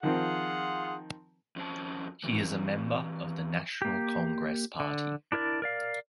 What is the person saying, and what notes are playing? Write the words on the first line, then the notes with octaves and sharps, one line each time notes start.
He is a member of the National Congress Party.
D#3 F3 C4 F4 G#4 F#5
F2 C#4 C5 A5
E3 C4 F#4
A#3 G4
D3
D4 E4 A#4 C#5 D5
A#4 D5 F5